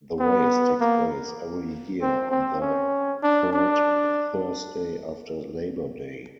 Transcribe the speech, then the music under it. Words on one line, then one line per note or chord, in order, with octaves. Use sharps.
The race takes place every year on the third Thursday after Labor Day.
B3
A#3
C4
C4
C#4
D4
D4